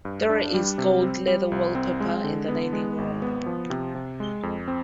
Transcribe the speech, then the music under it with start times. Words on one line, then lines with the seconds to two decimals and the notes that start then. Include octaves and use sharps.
There is gold leather wallpaper in the dining room.
0.05 G2
0.30 D4
0.54 G3
0.78 C3
1.03 C4
1.27 G3
1.52 C2
1.75 C4
2.00 G#3
2.24 D3
2.48 B3
2.73 G#3
2.98 G#1
3.22 B3
3.46 F3
3.70 C3
3.95 C3
4.20 G#3
4.43 F2
4.68 C4